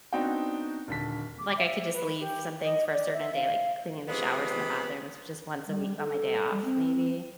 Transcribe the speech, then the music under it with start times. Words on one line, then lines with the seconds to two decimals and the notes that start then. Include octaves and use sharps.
like, I could just leave some things for a certain day, like cleaning the showers and the bathrooms, which is once a week on my day off maybe,
0.13 B3 C4 D4 D#4 F#4 G5
0.88 D#1 D3 B6
1.39 D6
1.57 E5
1.92 B4
2.19 G4
2.63 D#5
2.93 D5
3.13 E5
3.34 F5
4.07 C3 F3 G#3 B3
5.68 G3
6.00 A4
6.51 G3
6.64 C4